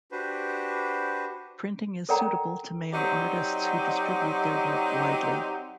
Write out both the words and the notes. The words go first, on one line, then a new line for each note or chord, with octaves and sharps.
Printing is suited to mail artists who distribute their work widely.
D4 F#4 G4 B4 C5
A4 A#4 D5 F#5 G5 A#5
F#3 C4 D#4 G4 D5